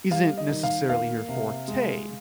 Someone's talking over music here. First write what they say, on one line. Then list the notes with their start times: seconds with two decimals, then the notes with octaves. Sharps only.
isn't, necessarily, your forte.
0.11 G3 F5
0.37 D#5
0.50 D#3
0.63 F5
0.89 A#3 F5
1.29 C3
1.68 G#3